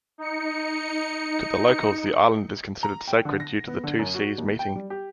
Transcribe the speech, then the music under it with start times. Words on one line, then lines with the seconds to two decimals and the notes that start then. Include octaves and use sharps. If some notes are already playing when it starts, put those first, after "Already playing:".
To the locals the island is considered sacred due to the two seas meeting.
0.18 D#4 C#7
2.83 A#5
3.08 G5
3.25 D3
3.40 A#6
3.68 B3
3.84 D3
3.99 F#2
4.14 F#4
4.38 D#2
4.59 G5
4.76 G3
4.90 G4